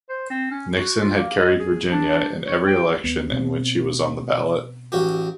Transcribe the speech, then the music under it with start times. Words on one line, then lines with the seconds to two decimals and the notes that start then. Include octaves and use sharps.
Nixon had carried Virginia in every election in which he was on the ballot.
0.09 C5
0.30 C4
0.51 C#4
0.75 F#4
1.01 F4
1.15 A#3
1.37 D#5
1.59 G#4
1.91 D4
2.47 C#5
2.67 G5
3.04 D#2 B3
3.32 B2 C4
4.92 A1 F#4 G4